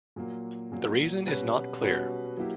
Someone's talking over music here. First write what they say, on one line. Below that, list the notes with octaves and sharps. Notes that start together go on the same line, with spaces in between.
The reason is not clear.
A#2 F#3 A#3
A#2 F#3 A#3
B2 G3 C#4 F#4 B4
B2 G3 C#4 F#4 B4
F#3 A#3 E4 G4